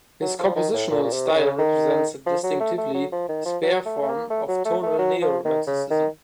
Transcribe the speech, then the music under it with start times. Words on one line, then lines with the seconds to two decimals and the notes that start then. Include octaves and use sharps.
His compositional style represents a distinctively spare form of tonal neo-Romanticism.
0.21 F#3
0.39 F3
0.56 D#3
0.74 A2
0.91 A#2
1.04 A#2
1.13 C3
1.32 D#3
1.35 C#3
1.59 D#3
2.26 F3
2.44 F#3
2.60 A3
2.78 A3
2.94 F#3
3.12 F3
3.29 D#3
3.45 F3
3.63 F#3
3.86 A3
4.02 A3
4.08 A#3
4.30 A3
4.48 F#3
4.65 A3
4.82 A3
4.98 F#3
5.22 F3
5.45 D#3
5.67 C#3
5.90 D#3